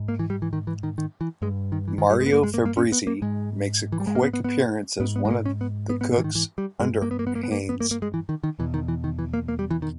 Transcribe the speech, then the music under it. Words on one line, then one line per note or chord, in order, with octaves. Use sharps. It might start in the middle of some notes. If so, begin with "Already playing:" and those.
Mario Fabrizi makes a quick appearance as one of the cooks under Haines.
Already playing: G#2
A#3
E3
G3
E3
D#3
E3
D#3
D#3
E3
G2 G#3
D#3
E3
D#3
G3
G#3
B3
A#3
G#3
A#3
A#3
C#4
B3
A#3
G#2 G#3
E3
G3
G#3
A#3
B3
B3
B3
G#2 B3
B3
G#3
A#3
C#4
B3
B3
B3
B3
E3
D#3
E3
G3
G2 G#3
A#3
B3
A#3
B3
A#3
B3
A#3
B3
A#3
A#3
G#3
E3
D#3
D#3
E2 B2 E3
D#3
E3
D#3
E3
A#3
A#3
G3
E3
D#3